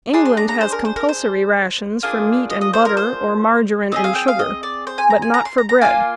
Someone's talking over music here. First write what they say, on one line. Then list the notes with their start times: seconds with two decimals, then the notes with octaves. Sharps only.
England has compulsory rations for meat and butter or margarine and sugar, but not for bread.
0.13 D4 G#4 C6
0.25 C6
0.37 A#5
0.49 A#5
0.61 C5
0.72 A#4
0.85 C5
0.96 A#4
1.09 C5
2.03 A#3 D4 F4 G#4
2.50 D#5
2.61 D#5
2.73 C5
2.85 A#4
2.97 C5
3.92 C4 F4 G#4 D#5
4.04 F5
4.15 G5
4.28 F5
4.39 D#5
4.63 D5
4.87 C5
4.98 G#5
5.10 A#5
5.22 G#5
5.34 A#5
5.45 C6
5.58 A#5
5.69 A#5
5.81 A#3 D4 F4 G#5